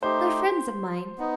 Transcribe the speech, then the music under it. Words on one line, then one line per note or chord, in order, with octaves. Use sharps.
They're friends of mine.
A3 D#4 G4 C5
B3 D#4